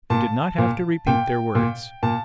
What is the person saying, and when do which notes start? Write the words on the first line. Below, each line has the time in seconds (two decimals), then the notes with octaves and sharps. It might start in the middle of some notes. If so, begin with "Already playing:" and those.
They did not have to repeat their words.
0.10 A#2 A5
0.58 A#2
1.07 A#2 G5
1.55 A#2
2.03 A#2 A5